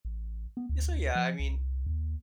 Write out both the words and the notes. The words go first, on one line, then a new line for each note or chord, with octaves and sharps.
ye so, yeah, I mean,
A1
B3
D2
F3
C2
D#2